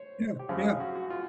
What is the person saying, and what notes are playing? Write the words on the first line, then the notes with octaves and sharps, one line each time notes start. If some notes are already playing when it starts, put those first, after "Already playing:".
Yeah, yeah.
Already playing: C5 C#5
G4
F#2 C#3 F3 G#4
G#4
F#4
F#4
F4